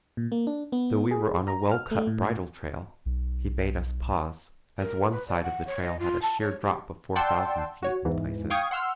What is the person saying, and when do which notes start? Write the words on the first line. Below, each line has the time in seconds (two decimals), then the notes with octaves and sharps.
Though we were on a well-cut bridle-trail, he bade us pause, as one side of the trail had a sheer drop of four thousand feet in places.
0.17 A#2
0.32 A#3
0.47 D4
0.72 B3
1.11 G#4
1.48 A#5
1.71 F6
1.91 A3
2.07 A2
3.06 B1
4.79 A#4
5.12 B4
5.28 D5
5.43 F#5
5.67 C#5
5.82 D#5
5.99 F4
6.22 A5
6.41 C#5
6.62 G4
7.15 D5 F#5 G5 A5 C6 E6
7.83 F#4 C#5
8.05 E2 G#2 E3
8.50 F5 G5 C#6 D#6 G#6
8.71 F#5 C6 E6 F6